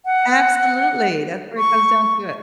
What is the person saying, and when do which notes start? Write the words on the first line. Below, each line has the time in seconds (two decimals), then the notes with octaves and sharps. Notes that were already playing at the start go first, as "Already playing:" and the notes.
Absolutely, that's where it comes down to it.
0.05 F#5
1.58 C#6